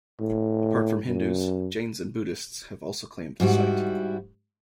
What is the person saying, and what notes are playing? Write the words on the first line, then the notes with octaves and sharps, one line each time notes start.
Apart from Hindus, Jains and Buddhists have also claimed the site.
A2
F#2
G#2 G3 E4 F#4